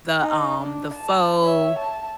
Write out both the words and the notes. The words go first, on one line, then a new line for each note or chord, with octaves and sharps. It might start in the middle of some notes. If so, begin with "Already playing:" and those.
the, um the pho,
D#4
D4
A5
C#5 E5
A5